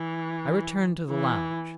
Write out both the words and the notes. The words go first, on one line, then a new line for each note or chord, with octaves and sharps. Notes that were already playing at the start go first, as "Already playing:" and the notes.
I returned to the lounge.
Already playing: E3
E3